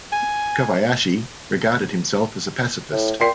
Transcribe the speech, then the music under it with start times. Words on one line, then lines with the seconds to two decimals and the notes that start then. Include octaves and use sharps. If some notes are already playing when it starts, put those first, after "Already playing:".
Kobayashi regarded himself as a pacifist.
0.12 G#5
2.92 A2
3.20 A#2 G5 C6 C7